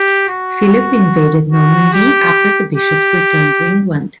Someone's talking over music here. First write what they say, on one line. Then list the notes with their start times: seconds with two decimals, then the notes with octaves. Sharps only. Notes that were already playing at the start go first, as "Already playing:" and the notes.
Philip invaded Normandy after the bishops returned to England.
Already playing: G4
0.28 F#4
1.52 F#4
1.93 G4
2.75 G4